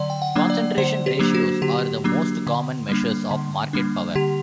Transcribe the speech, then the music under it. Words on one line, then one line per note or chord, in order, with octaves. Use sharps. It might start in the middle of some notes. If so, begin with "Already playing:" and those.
Concentration ratios are the most common measures of market power.
Already playing: D3 F#3 D5
G5
F#5
F#3 A#3 D4
D5
D3 C5
G4
F#3 A#3 D4
F#4
D3 G4
F#3 A#3 D4
D3
G3 A#3 D4
D3
G3 A#3 D4
D3 G4